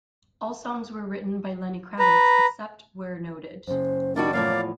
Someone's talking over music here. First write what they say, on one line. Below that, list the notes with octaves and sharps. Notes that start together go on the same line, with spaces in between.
All songs were written by Lenny Kravitz, except where noted.
B4 A#5
F#2 C#3 C5
D#3 G3 D4 D#4 F#4 D5
E2 A2 F3 A#3 C#5 D5 F5